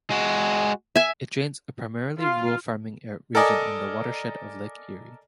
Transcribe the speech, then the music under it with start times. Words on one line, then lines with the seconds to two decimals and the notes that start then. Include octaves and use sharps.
It drains a primarily rural farming region in the watershed of Lake Erie.
0.10 G#3 F#4
0.96 E5 G#5
2.19 F4
3.35 A4 A#4 D5 D#5 G#5